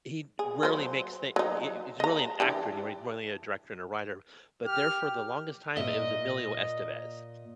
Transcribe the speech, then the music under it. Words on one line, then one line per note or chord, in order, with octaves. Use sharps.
he rarely makes the he he's really an actor anyway. He's more than a director and a writer, but there for the longest time, it was Emilio Estevez.
G#4
F#3 C5
F#3 D#4
D#5 A#5
E3 D4 G4
G4 F6
A#2 D#5 E5